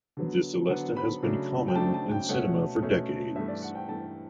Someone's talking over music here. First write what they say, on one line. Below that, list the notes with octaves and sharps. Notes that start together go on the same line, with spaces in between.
The celesta has been common in cinema for decades.
D3 F#3 B3
D3 F#3 B3 F#5
B5
C#3 F#3 A3 D4
G5
C#3 F#3 A3 D4 A5
A5
G5
B2 A3 C#4 F#5
B2 A3 C#4
G2 E3 A3 E5
D5
F#5
G5
G2 E3 A3 A5